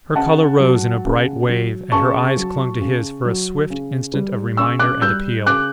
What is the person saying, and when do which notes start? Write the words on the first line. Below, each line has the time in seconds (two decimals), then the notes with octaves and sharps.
Her colour rose in a bright wave, and her eyes clung to his for a swift instant of reminder and appeal.
0.15 C#3 F#5 A5
0.60 F#3
1.05 C#3
1.49 F#3
1.92 C#3 A5 C#6
2.37 F#3
2.81 C#3
3.25 F#3
3.70 C#3
4.14 G3
4.57 C#3 C#6 E6
4.80 D6 F#6
5.02 G3 E6 G6
5.46 C#3 D6 F#6